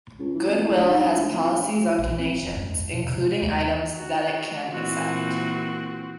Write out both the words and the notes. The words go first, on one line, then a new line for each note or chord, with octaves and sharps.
Goodwill has policies on donations, including items that it can accept.
C#2
E3
F2
E2
G2
G#2
E1
D2
F2
A#1
A#1
C4
E1
F#2
E2
B2
C3
D#2
F#4
A#2 E3 A#3 C4 F#4